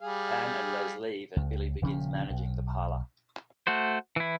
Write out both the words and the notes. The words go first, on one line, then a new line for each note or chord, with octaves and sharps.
Pam and Les leave and Billy begins managing the parlour.
G3 G#4 F5
C#2
D#1 C#3 F3 C#4
B1
A3 F#4 C5
E3 E4